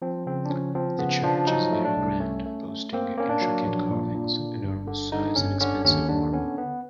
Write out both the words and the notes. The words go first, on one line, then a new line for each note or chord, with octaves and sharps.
The church is very grand boasting intricate carvings, enormous size, and expensive marble.
F3 C4
C#3 C4
D4
F3 C#4
F3 C4
C#3 B3
F3 D4
F#3 D#4
A3
D4
C2
A3 C#4
A3
A3
A#3 C4
A#3 C#4
D4
F#3
A#1
A#2
A#2
D3
G1
D3
D3 D#4
G1 C#4
D3 C#4
D#2 C#4
D3 D4
B3 C#4
B3